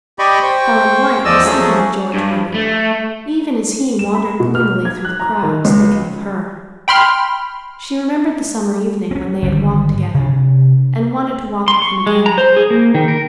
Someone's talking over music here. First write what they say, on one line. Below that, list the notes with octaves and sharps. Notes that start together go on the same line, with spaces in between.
Helen White was thinking of George Willard even as he wandered gloomily through the crowds thinking of her. She remembered the summer evening when they had walked together and wanted to walk with him again.
G4 D5 D#5 B5 C#6
C5 G5 C#6
E2 F3 D5 D#5 E6
F3 F#3 A3 C#4 G#4
G2
A3
E7
B5
B2
F6
G#6
F#6
A#5
D#3
C#2
G5 B5 C6 F6
C4 C#4
G#1 D3 G3
C3 D4
C6
C#6
G#3
A#5
C5
G#4
A#3
D#3
A#4